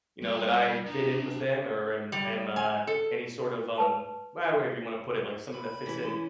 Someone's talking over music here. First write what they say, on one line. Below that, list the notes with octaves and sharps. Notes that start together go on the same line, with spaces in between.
you know, that I fit in with them or am am, uh, any sort of, um, well, however you wanna put it, like, somebody that fits in."
G3 D5
D4 A#5
G3
G#5
A4
B4 A5
B5
E3 C#4